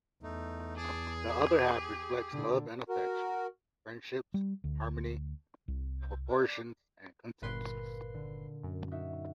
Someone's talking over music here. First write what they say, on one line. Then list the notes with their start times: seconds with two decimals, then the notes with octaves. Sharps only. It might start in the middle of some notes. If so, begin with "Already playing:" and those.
The other half reflects love and affection, friendships, harmony, proportion and consensus.
0.23 E2 A3 D#4
0.77 G#4 A5 D6
1.29 G4
2.32 A#2 D3
2.89 F#4 A#4
4.34 G3
4.64 D2
5.68 C2
7.42 G1 A#2 B4 C6
8.14 D3
8.63 F#2
8.91 D#4 F#4 E5